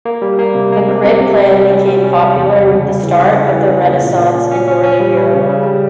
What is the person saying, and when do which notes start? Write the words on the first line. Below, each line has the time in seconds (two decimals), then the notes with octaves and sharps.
The grid plan became popular with the start of the Renaissance in Northern Europe.
0.05 A#3
0.22 G3
0.39 A#3
0.55 C3
0.72 A#3
0.88 C3
1.05 C3
1.21 C3
1.37 G3
1.55 G3
1.71 C#4
1.87 G3
2.04 C#4
2.20 G3
2.36 E2
2.53 G3
2.69 C#3
2.86 C#3
3.03 E3
3.19 C#3
3.35 C#3
3.52 E3
3.68 C#3
3.86 A#3
4.01 A#2
4.18 A#2
4.34 C#4
4.51 C#4
4.68 C#4
4.84 C#4
5.00 G3
5.17 G3
5.34 C#3
5.49 C#3
5.66 G3